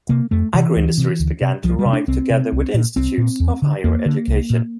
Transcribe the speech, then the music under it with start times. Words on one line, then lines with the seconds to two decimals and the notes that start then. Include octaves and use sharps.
Agroindustries began to arrive together with institutes of higher education.
0.09 C3 A#3
0.31 F2 A3
0.54 C3 E3
0.76 D2
0.98 C3
1.19 D2
1.41 C3
1.64 C2 F3
1.79 G3
1.85 C3
1.93 D4
2.08 C2 C4
2.30 C3
2.52 C2
2.74 A#2
2.96 C2 C4
3.18 A#2
3.40 E2
3.62 D3
3.84 E2 A#3
4.06 D3
4.28 C2
4.50 A#2